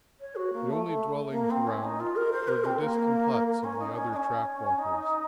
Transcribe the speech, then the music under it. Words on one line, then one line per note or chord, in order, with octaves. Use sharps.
The only dwellings around were the distant huts of the other track-walkers.
C#5
F#4
A#3
A3
A3
A#3
C4
C#4
D#4
F4
A#4
C5
A#4
C4
A#3
A#3
C#4
D#4
C#4
D#4
C#4
D#4